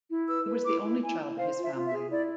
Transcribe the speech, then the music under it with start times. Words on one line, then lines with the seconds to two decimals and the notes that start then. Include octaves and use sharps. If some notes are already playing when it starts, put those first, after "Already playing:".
He was the only child of his family.
0.10 E4
0.28 B4 E6
0.46 B4
0.64 E4 D6
0.83 E4
1.01 E4 G#5
1.20 E4
1.37 C5 F5
1.56 F4
1.62 E5
1.73 F4
1.86 E5
1.93 G#4
2.10 E4 D5